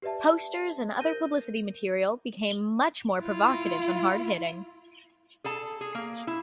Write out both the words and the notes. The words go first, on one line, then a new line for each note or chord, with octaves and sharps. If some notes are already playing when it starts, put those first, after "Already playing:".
Posters and other publicity material became much more provocative and hard-hitting.
G4 B4 D5 E5 A5
A#4 C5 G6 A#6 D#7 G7
E4 F4
G#4 A4 A5
G#4
A#3
E4